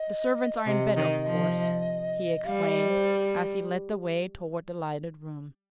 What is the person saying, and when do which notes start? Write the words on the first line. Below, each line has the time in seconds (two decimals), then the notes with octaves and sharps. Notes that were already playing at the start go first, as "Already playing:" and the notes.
"The servants are in bed, of course," he explained, as he led the way toward the lighted room.
Already playing: D#5
0.66 C3 D#5
0.97 D#3
1.26 F3
2.45 G3 F5
2.67 D#5
2.89 C5